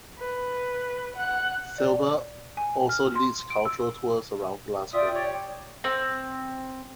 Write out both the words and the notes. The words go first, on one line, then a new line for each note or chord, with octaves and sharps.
Silber also leads cultural tours around Glasgow.
B4
F#5 F#6
D5
G#5
F6
C6
D7
E6
F4 D5 E5 G5 D#6
G4 C#5
C4